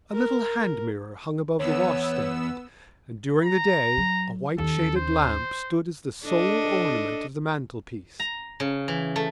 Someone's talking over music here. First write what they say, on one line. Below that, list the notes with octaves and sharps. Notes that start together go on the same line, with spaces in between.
A little hand-mirror hung above the washstand and during the day a white-shaded lamp stood as the sole ornament of the mantelpiece.
A#4
E2 B3 C#5 E6
A#5
F#3
D#2 C#4 A4
C5
D4 A4 D#5
A#5
C#3
E3
A3